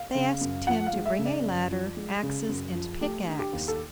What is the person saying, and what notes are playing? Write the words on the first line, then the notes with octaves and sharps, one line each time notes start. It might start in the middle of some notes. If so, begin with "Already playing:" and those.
They asked him to bring a ladder, axes and pickaxe.
Already playing: F5
C#3
F#2
F3 F#5
F5
G#3
E5
C#3
D5
F#2
F3
G#3
C#3 G#4
F#2
F3
A3 G4
D3
G4
D#2
A4